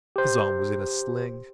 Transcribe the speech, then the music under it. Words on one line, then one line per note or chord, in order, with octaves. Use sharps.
His arm was in a sling.
G4 C5